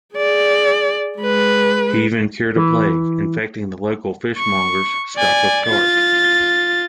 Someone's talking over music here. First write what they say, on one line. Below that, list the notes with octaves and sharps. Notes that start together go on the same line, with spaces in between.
He even cured a plague infecting the local fishmonger's stock of carp.
G#4 D5
G#3 B4
E3
C#6
D5 G#5
F4 A6